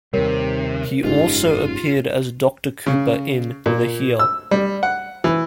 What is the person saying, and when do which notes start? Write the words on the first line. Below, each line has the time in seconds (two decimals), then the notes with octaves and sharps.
He also appeared as "Doctor Cooper" in the here!
0.14 D#2 C3 G3 A#4 C#5
1.04 F#1 G#2 C#3 D#4 F4 G4
2.86 C#3
3.66 A#2
4.19 E6
4.51 G3
4.83 F#5
5.24 E3